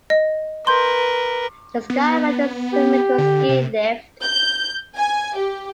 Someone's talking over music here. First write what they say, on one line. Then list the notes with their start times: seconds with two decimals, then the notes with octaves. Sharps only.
The Skyride is similar to a ski lift.
0.10 D#5
0.67 A#4 B4 C6 G6
1.90 B3
2.73 G4
3.18 D3
3.49 C3
4.23 G6
4.97 G#5
5.38 G4